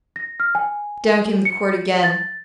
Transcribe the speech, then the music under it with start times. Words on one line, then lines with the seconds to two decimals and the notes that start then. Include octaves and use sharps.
Down came the quirt again.
0.16 A#6
0.40 F6
0.55 G#5
1.45 C#7
2.04 A6